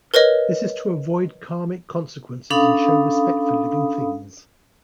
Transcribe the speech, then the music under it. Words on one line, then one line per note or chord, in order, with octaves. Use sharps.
This is to avoid karmic consequences and show respect for living things.
A#4 B4 C#5 D#5
C#4 D4 A4 F5 B5 D#6